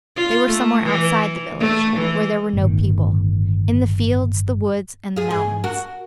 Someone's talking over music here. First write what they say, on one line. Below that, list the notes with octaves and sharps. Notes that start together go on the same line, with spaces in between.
They were somewhere outside the village, where there were no people--in the fields, the woods and the mountains.
F4
A3
E3
A3
E3
G1 A2 C3 D#3
F4 G#4
G#2 G#4
F#4 A#4